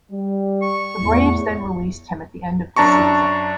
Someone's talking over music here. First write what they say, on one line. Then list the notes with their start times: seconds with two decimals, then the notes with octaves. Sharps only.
The Braves then released him at the end of the season.
0.11 G3
0.62 C#6
1.01 E2 A2
2.76 F#2 D4 A5 A#5 C#6